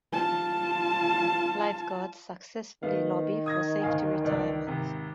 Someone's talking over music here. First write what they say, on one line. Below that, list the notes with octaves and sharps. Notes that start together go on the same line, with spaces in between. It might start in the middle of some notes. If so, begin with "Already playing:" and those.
Lifeguards successfully lobby for Safety Retirement.
F4 A5
D#3 A3 B3 F5
D#6 G#6 A#6
D2 F5 G#5
G1 C#2 D5
G#1 C3